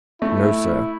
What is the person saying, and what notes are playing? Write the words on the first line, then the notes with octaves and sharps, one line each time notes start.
No, sir.
A3 E4